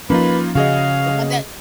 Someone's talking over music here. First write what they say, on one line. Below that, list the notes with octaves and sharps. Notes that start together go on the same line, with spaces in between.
the one that
F3 A#3 C#4 D#4 F4 B4
C#3 F#4 G#4 D#5 F5